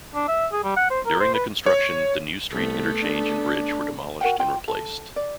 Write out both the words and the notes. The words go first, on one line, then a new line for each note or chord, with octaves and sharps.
During the construction, the New Street interchange and bridge were demolished and replaced.
D4
E5
G#4
G3
F#5
C5
A#4
C5
B4
C#5
C2 A3 B3
D4
F#4 A#4 F#5 G5
F4 G5
A4
D5